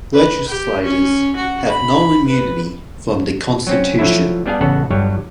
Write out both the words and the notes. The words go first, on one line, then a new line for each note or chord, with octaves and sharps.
Legislators have no immunity from the Constitution.
B4
G4
C#4
F#4
B5
B4
F#3 C4 C#4
F3 F#3 A3 E4
G3 B3 D4 G#4 F5
A1 C#3 B3 A4 F#5
G1 G2 F#3 G3 C#5